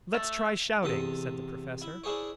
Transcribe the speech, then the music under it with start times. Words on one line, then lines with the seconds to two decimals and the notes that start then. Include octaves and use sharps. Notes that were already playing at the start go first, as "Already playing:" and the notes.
"Lets try shouting," said the Professor.
0.14 A3
0.83 E2 C3 A4 C6 D#6
1.82 E4
2.04 D4 E4 G#4 C5 C#5